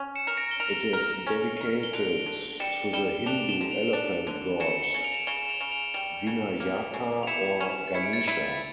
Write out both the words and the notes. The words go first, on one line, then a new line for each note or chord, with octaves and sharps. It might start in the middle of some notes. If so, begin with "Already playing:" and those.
It is dedicated to the Hindu elephant god Vinayaka or Ganesha.
Already playing: C#4
C#7 E7
A#4
A#6 D7
G7
A#4 D7 F7
A#4
C#4
A#4
G7
D3 D7 F7
D3
G3 C#7 E7
G3 E7 G7
D4 D7 F7
E7 G7
D3
D7 F7
D4
D3
C#3 C#7 E7
C#7 E7
C#3
D7 F7
C#3 E7 G7
E7
D7 F7
C#3
D7 F7
G3
C#3
A#3
C#3
F7
E4 C#7 E7
C#4
E4 C#7
D7
A6 C#7
E4